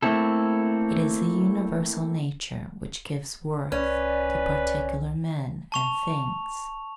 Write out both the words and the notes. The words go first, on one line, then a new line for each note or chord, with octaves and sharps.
It is the universal nature which gives worth to particular men and things.
A3 A#3 C4 E4 A4
C2 C#4 B4 D5
A5 C#6 F7